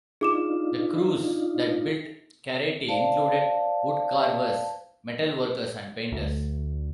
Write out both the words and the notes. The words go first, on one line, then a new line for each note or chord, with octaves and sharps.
The crews that built carretti included woodcarvers, metal workers, and painters.
D4 D#4 F4 G#4 D6 E7
C5 D5 F5 A5
D2